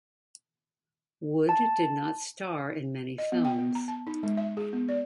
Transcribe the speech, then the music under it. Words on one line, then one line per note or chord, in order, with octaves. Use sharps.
Wood did not star in many films.
A5
D#5
B3
G5
B3
A#5
A5
D#4
G#3
E5
G#4
B3
D5